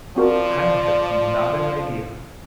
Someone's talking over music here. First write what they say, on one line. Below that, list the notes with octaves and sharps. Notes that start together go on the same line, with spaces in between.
"I have not an idea."
F3 C4 F#4 A#4 D5